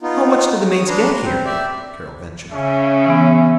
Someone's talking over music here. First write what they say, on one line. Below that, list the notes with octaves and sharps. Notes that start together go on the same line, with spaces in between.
"How much do the maids get here?" Carol ventured.
B3 D#4 F4
C#5 D#6
D4 B4 A#5 C6
C4
G4 D5 E5
C#3 C#4 E5
E3 B3